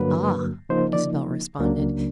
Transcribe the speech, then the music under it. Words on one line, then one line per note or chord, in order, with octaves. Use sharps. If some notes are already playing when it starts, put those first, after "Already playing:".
"Ah!" Isabel responded.
Already playing: G2 D3 F#3 A#3 B4
C#3 F3 A#3 D#4 C5
D5
C#2 C#3 F#3 A#3 D4